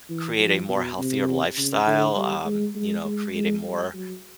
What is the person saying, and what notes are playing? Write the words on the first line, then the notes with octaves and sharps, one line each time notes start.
create a more healthier lifestyle, um, you know, create a more
E3
F3
B2
C3
C#3
D3
G3
G#3
G#3
G#3
G#3
G3
F#3